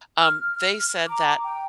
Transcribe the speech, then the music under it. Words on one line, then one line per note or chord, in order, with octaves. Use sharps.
um, they said that
F6
A#5 D6
G5